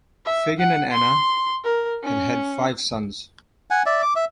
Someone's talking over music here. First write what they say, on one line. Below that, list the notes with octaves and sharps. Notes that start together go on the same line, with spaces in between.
Fagan and Anna had had five sons.
E5
F#5
C6
A#4
C#4
F#5 G#5
D5 E5
D6
E5